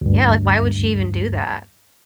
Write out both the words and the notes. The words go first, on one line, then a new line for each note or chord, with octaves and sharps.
Yeah, like, why would she even do that?
D2 G2